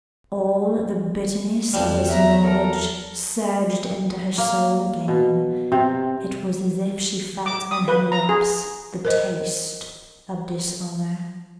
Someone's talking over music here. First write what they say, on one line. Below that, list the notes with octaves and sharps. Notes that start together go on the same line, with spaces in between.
All the bitterness of this knowledge surged into her soul again; it was as if she felt on her lips the taste of dishonour.
F2 F3 G3
E2 E5 A#5
A4 A#4
A#3
B2
C3
D6
D#6
B4
A#5
G#4
A#4 C5 D#5